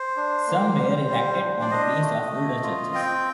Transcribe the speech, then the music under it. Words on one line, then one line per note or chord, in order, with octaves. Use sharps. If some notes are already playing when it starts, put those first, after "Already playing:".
Some were erected on the place of older churches.
Already playing: C5
D4
A#3
G3
G3
D4
D5
D4 D#5
A3
A3
F4
C4 G5